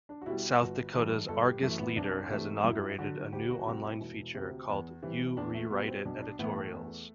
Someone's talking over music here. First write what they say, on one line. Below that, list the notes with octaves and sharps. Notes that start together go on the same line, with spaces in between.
South Dakota's "Argus Leader" has inaugurated a new online feature called You Re-Write-It Editorials.
D4
F#4
B2 G3 E4
G1 F#4
G2 E3 A4
G1 A4
G4
F#2 E3 A3
B3
C2 D4
C3 E3 A3
F#2 E4
D3 F#3 F#4
D2 G4
F#4
C3 G3 F#4
E4
E1
D2 C3
E2
C3 E3 G3
E2 D4
A3
B2 G3 B3
C4
B1 D4
D4
A2 E3 A3 B3
A3
E2